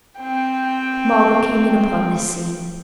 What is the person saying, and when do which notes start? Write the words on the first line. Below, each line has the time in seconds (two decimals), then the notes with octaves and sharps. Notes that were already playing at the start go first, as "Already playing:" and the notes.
Margaret came in upon this scene.
0.20 C4 G5